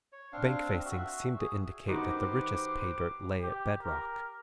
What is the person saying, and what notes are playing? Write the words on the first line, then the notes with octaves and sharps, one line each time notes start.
Bank facings seemed to indicate that the richest pay-dirt lay at bed-rock.
C#5
C4 D4 F5
F#4 E5
G#4
D#3 D#4 F#4 G4 B4 C5 D6
G4
A#4